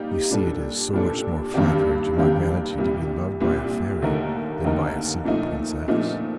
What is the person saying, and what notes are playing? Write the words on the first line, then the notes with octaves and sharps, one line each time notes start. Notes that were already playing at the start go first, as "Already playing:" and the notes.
You see it is so much more flattering to my vanity to be loved by a fairy than by a simple princess.
Already playing: G3 A#3 D#4 G4
A#2 G3 D4 A4
A#2 G3 D4 A4
G2 D#3 A#3 D4 G4
G2 D#3 A#3 D4 G4
C2 A#2 G3
C2 A#2 G3
D#2 D3 A3 D#4 A#4
D#2 D3 A3 D#4 A#4
A#2 F3 A3 D#4
A#2 F3 A3 D#4